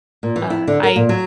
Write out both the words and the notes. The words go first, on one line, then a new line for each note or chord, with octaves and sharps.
uh, I
A#2
E3
E4
D3
A#4
A#2
F#3